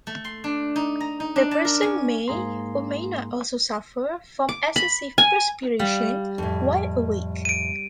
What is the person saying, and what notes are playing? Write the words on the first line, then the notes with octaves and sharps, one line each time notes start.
The person may or may not also suffer from excessive perspiration while awake.
A3
C6
D4
D#4
A#5
D#4
D4
A5
A#4
C#4
G#2 A#3 G#4 A#5 C6
D6
B5
G#5
G3 F5
F2 A2
D7 D#7